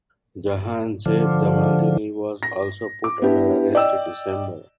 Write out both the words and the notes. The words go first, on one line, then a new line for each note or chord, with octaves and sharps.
Jahanzeb Jamaldini was also put under arrest in December.
D3 F3
A#6
D6
B3 D4 E4 G4
D5 D#5 G5 E6